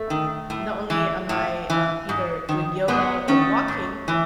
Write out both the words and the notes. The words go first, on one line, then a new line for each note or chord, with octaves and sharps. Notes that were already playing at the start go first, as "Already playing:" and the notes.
not only am I, um, either doing yoga, or walking
Already playing: A3
D#3
A2
E3
A2
E3
G#2
D#3
G#2 G#3 B3
D#3 A3 C#4
G#2
E3